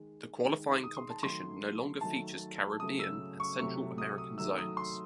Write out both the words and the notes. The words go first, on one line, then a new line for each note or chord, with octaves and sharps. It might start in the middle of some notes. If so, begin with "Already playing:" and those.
The qualifying competition no longer features Caribbean and Central American zones.
Already playing: D#3 G#3
D#3 G#3
D#6
C6
A5
D#3 F#3 A3 C6
D#3 F#3 A3 A5
C#3 F#3 A3 D#6
E6
C#6
C3 F#3 A3 C#6
D#6
D#6
D#3 F#3 A3 E6
D#6
C6